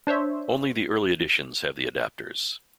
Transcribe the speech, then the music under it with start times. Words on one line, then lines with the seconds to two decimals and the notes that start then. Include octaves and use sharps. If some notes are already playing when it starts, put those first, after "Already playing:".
Only the early editions have the adapters.
0.07 D4 C5 C#5 E5